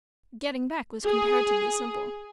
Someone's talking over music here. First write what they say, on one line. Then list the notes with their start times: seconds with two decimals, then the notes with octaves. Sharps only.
Getting back was comparatively simple.
1.05 G#4